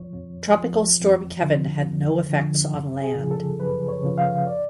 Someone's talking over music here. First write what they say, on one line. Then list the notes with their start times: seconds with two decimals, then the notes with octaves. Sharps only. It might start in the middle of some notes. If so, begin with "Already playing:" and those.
Tropical Storm Kevin had no effects on land.
Already playing: F2 F3 C#5
0.13 F2
0.57 F3
1.00 F2
1.42 D3 F3
1.86 F2
2.29 D3 F3
2.72 F#2
3.02 G#4
3.16 C#3 F3
3.31 A4
3.59 F#2 B4
3.88 C#5
4.03 C#3 F3
4.18 F5
4.47 D5